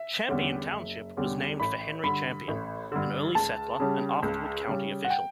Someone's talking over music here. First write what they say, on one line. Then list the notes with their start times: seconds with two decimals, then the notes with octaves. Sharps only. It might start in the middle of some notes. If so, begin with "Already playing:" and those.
Champion Township was named for Henry Champion, an early settler and afterward county official.
Already playing: E5
0.28 E2 D3 G3 C#4
0.73 F#1
1.17 E2 D3 G3 C#4
1.60 A1 B5
2.03 G2 D3 B5
2.48 A1
2.92 G2 D3
3.35 C#2 A5
3.80 C#3 G3 C#4
4.23 C#2
4.67 C#3 G3 C#4
5.04 F#5
5.10 G5